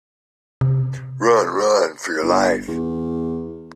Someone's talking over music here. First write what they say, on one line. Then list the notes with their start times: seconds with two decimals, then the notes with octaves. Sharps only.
Run - run for your life!
0.61 C3
2.22 G1
2.68 E2